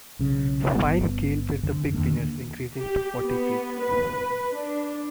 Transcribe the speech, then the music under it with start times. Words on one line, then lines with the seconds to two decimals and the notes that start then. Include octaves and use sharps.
Fine Gael were the big winners increasing to forty seats.
0.19 B1 C#3
0.75 G1 G3 B3
1.63 F2 D3
1.94 D#2 D3 D#3 A#3
2.77 G4
3.24 B3
3.81 B4
4.52 D4